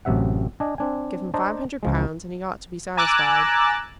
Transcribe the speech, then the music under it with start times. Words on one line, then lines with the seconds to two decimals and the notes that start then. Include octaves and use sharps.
Give him five hundred pounds, and he ought to be satisfied.
0.05 A1 F#2 C3 E5 F#5
0.60 D4 D#5 G#5
0.78 C4 D4 G#5
1.34 D4 C5 D#5 A5 A#5
1.83 C#2 F3 G#3
2.97 G#5 A#5 D6 E6 F#6 A6